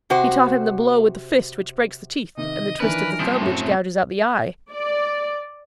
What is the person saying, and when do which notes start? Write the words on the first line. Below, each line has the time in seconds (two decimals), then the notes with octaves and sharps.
He taught him the blow with the fist which breaks the teeth, and the twist of the thumb which gouges out the eye.
0.10 C3 F#4 C5
2.37 C3 D#3 D#5
2.80 D#3 E3 D4 A#4 B4
3.19 C3 F3 G3 D#6
3.41 F#2 A2 F#4
4.73 D5